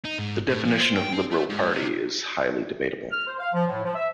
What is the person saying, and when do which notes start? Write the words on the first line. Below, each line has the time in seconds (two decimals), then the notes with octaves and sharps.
The definition of liberal party is highly debatable.
0.05 D#4
0.19 G#2
0.48 A2
0.65 F3
0.81 C5
0.96 G5
1.13 C4
1.31 A3
1.49 G#2
1.73 C3
3.10 F6
3.26 C5
3.40 F5
3.53 F3
3.68 A2
3.83 F3
3.95 E5